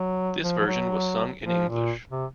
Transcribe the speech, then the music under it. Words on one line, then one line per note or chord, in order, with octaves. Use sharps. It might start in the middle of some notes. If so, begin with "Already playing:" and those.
This version was sung in English.
Already playing: F#3
F3
F3
F#3
F3
A#2
C3